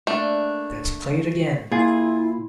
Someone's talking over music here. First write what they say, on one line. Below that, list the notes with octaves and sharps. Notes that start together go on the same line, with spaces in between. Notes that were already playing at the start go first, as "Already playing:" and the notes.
Let's play it again!
A3 A#3 D4
A#2 E4 F4 G#4